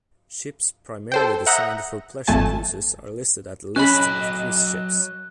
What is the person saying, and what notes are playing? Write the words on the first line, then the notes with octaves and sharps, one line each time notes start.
Ships primarily designed for pleasure cruises are listed at List of cruise ships.
A4 C5 G5
E5 F#5 A#5 D#6 G6 A#6
G#1 F2 A3 G#5 A5
F#3 C#4 D#5 B5 F#6